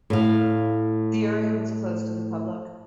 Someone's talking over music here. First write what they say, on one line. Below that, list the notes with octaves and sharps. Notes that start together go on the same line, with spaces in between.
The area was closed to the public.
A2 F5